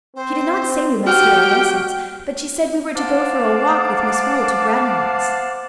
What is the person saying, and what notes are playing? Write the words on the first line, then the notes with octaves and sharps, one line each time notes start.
"She did not say we must do our lessons, but she said we were to go for a walk with Miss Hoole to grandmamma's."
C4 C5
F#4 G4 G5 F6
C5 F5 F#5 A5 D6